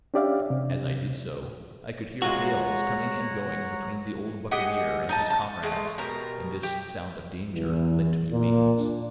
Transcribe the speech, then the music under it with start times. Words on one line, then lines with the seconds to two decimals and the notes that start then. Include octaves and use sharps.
As I did so, I could hear hails coming and going between the old buccaneer and his comrades, and this sound of danger lent me wings.
0.14 C#4 D4 G4 D5 E5 F5
0.50 C3
2.22 G#3 F4 F#4 C#5 F#5 A#5
4.51 G4 G#4 D#5 F#5
5.09 D#4 D#5 A5
5.30 A5
5.63 G#3 A3
5.98 B2 G3 A#4 A#5
6.63 G4
7.54 E2
8.33 A#2
8.78 D4